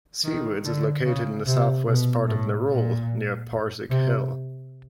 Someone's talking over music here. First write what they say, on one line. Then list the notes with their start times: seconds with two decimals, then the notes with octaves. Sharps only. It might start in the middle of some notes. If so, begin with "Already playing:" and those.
Seawoods is located in the south west part of Nerul, near Parsik Hill.
0.24 D#3
0.65 D3
1.05 C#3
1.46 C3
1.86 B2
2.27 A2
2.68 A#2
3.90 C3